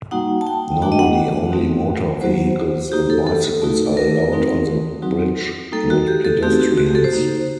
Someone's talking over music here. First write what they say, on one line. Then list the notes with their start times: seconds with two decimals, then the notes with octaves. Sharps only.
Normally, only motor vehicles and bicycles are allowed on the bridge-not pedestrians.
0.11 G3 A#3 D#4 F#4 F#5
0.41 A5
0.47 G5
0.82 A3 D4 F#4 G5
0.92 D#5
0.99 F#5
1.52 A3 C4 D#4 F#4
2.21 F#3 A#3 F#4 C5
2.92 A#3 D#4 F#4 G4
3.10 A4
3.27 A4
3.62 A3 D#4 F#4
3.97 A#4
4.32 A3 C4 D#4 F#4
5.02 F#3 C4 D#4 F#4
5.72 G3 A#3 D#4 A4
5.90 F#4
6.08 G4
6.25 A4
6.43 A3 C4 D#4 F#4 G4
6.60 F#4
6.78 F#4
6.87 G4
6.95 A4
7.04 C5
7.13 A#3 D#4 F#4